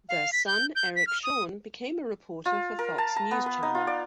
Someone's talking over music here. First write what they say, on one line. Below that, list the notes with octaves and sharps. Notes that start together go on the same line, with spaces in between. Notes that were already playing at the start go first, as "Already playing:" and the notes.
Their son, Eric Shawn, became a reporter for Fox News Channel.
F5
B6
G6
G6
B6
F6
D#6
F4
A#4
A5
A#5
B3
B4
D#4
F4
D5